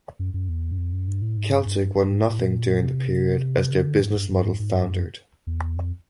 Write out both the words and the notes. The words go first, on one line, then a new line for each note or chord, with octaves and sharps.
Celtic won nothing during the period as their business model foundered.
F#2
F#2
E2
F#2
F2
F#2
G2
A2
G#2
G2
G2
G2
G#2
A2
A#2
C3
C#3
D3
G#2
G2
G2
G#2
G#2
G2
F#2
E2
F2